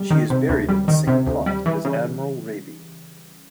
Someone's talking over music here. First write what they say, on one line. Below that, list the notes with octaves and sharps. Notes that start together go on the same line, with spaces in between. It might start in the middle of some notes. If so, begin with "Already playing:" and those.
She is buried in the same plot as Admiral Raby.
Already playing: G3
D#3
C3
D2
G3
D#3
C3
D2
G3
E3
C#3